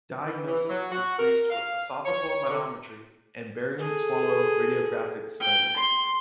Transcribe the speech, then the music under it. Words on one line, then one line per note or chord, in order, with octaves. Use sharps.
Diagnosis is reached with esophageal manometry and barium swallow radiographic studies.
E3
E3
F#3
F#4
A#4
F5
C#5
D3
G#4 A4
G5
C6